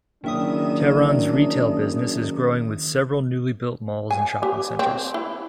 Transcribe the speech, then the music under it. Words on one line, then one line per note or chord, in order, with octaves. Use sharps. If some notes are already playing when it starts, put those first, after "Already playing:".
Tehran's retail business is growing with several newly-built malls and shopping centers.
F#1 D#3 D4 E5 D#6
G#5
G4
C4
E4